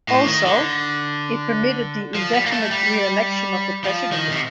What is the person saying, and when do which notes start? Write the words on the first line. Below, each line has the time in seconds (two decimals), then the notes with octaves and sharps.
Also, it permitted the indefinite reelection of the president.
0.08 A2
0.26 D#3
0.46 D3
2.15 F3
2.33 G3
2.46 A#3
2.51 A3
2.71 G3
3.84 F3
4.12 D#3
4.31 C3